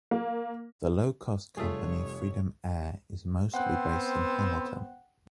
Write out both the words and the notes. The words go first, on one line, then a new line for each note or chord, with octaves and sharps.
The low-cost company Freedom Air is mostly based in Hamilton.
A#3
F1 G3 A3 F4 G#4 C#5
B3 C4 C5 F#5 G5 F#6